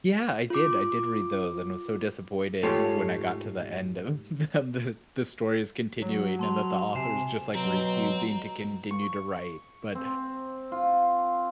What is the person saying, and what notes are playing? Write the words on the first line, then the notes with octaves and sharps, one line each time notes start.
Yeah, I did, I did read those, and was so disappointed when I got to the end of the of the story's continuing and that the author is just, like, refusing to continue to write, but
F4 D6
G#2 A3 F4 G4 C#5
F#3
A5 C6 F7
C3 G#5 C7 E7
B2 F#3 C4 A#5
C#6
C4
F4